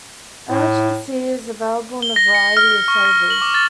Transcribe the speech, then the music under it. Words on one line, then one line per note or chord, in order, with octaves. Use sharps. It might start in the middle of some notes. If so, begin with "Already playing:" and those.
Emergen-C is available in a variety of flavors.
A2
G7
A#6
C#7
F6
C#6
A#6
F#7
D6
A6